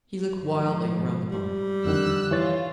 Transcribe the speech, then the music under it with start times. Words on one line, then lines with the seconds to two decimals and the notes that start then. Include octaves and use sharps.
He looked wildly around the barn.
0.33 G#2 F3
1.31 G3
1.85 F2 D3 D#3 E6 F#6
2.31 E3 F4 C#5 A6